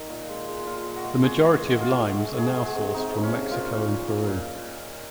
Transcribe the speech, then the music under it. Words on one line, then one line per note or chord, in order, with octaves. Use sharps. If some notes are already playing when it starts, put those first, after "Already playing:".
The majority of limes are now sourced from Mexico and Peru.
Already playing: D#3
A#2
G#3
G#3
A#2 F4
A#2
F#4
G#3
G#3 G#4
G#3
F#4
G#3
G#3 F4
G#3
F#4
G#3
G#3 G#4
G#3
F#4
C3
C3 D#4
F3
C#4
C3
A#2 F4
A#2
A#2
A#2
A#2